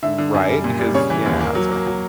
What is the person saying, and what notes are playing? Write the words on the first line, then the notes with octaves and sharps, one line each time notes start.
Right, because yeah, how does that feel?
D3 E5
D3
F#2
G3
A#2
G3
C#3 C#5
E3
D#2
A#3
F#3
A#3
F#3